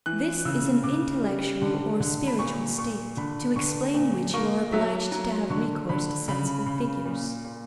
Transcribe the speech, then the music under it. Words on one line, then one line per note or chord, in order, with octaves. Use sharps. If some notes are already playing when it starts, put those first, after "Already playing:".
This is an intellectual or spiritual state, to explain which you are obliged to have recourse to sensible figures.
E3 F#6
C#3 E6
C#3 D6
G3
D3
D3
B5
A#2 C#6
A#2 C#6
D3 B5
D3 C#6
A#2
A#3 C#6
F#3 E5
F#3 A#5
D3 C#6
D3 B5
C#3 B5
C#3
A#2
A#2